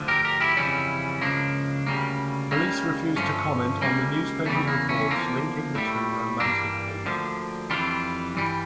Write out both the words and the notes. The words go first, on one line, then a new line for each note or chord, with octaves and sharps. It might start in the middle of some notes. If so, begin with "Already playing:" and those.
Police refused to comment on the newspaper reports linking the two romantically.
Already playing: D2 D3 F3
G4 A#4
G4 A#4
E4 G4
F2 C#3 E3 G3 C#4 E4
C#2 C#3 F3 A#3 D4
D2 C#3 G3 A#3
C#2 C#3 G3 A#3
G2 D3 F3 A3 C#4
C#2 C#3 G3 A#3
E2 C#3 E3 G3 A3
A#3
A3 C#4
E2 D3 F3 A#3
A2 G3 A3
G2 E3 G3 A#3 D4
D2 D3 F3
F2 E3 G3 D4 F4
G2 E3 G3